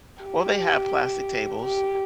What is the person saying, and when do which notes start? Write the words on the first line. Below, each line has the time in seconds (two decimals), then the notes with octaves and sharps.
Well, they have plastic tables,
0.23 G4
1.62 G4